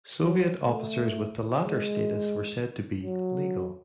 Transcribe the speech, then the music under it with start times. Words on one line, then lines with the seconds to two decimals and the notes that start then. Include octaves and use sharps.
Soviet officers with the latter status were said to be "legal."
0.22 F#3
0.68 A3
1.63 G#3
3.03 F#3